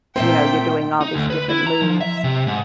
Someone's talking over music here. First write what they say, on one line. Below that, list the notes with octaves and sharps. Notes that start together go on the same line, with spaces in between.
you know, you're doing all these different moves.
A#2 A3 C4 F4 E5 G5
D#4
D2
B4
E4
A#5
F3
E5
C3
G#2